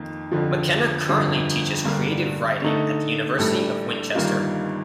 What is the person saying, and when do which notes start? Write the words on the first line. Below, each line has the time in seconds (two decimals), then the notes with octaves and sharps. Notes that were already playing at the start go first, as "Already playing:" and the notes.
McKenna currently teaches creative writing at the University of Winchester.
Already playing: F2 D#3 A#3
0.31 F2 D3 F3
1.08 G1 F2 D3 F3
1.85 G2 D3 G3 A#3 D4
2.62 D3 A3 D#4 A4
3.38 A#1 A2 G3 D4 A4
4.15 G1 G2 D#3 A#3 F4